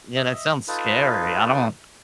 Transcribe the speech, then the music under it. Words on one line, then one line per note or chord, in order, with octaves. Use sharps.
Yeah, that sounds scary, I don't
D#5 E5
D#4 F4 A4 B4